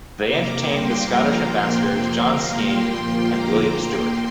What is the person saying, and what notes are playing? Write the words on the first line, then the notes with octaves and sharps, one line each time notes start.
They entertained the Scottish ambassadors John Skene and William Stewart.
C3 A#3 A#5 D6
G2 G3 A#3 G5 C6
G2 F3 A#3 F5 A#5
A#2 F3 A#3 G5 C6
F2 C3 A#3 G5 C6
G2 D3 A#3 F5 A#5
A#2 G3 A#3 G5 C6
A#2 F3 A#3
F2 D3 A#3 A#5 D6
A#2 A#3 G5 C6